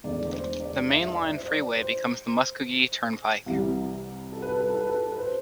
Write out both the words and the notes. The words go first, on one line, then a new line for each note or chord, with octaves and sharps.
The mainline freeway becomes the Muskogee Turnpike.
E1 E2 D3 A3 D5
D5
C5
D5
E5
D5
E5
C5
D5
C5
C2 C3 E3 G3
A4
B4
A4
B4
A4
B4
A4
A4
B4
C5